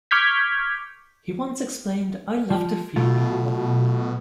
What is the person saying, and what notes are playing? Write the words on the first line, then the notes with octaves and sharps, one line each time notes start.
He once explained, I love to feed people.
C#6 D6 F6 G6 G#6 B6
F3
B2 F#3 A3 F4